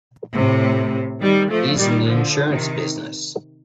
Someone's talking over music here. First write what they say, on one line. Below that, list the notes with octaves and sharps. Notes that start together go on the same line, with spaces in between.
He's in the insurance business.
A2 C3
D#3 G3
F3 A3
D#3 G3
D3 F3
C3 D#3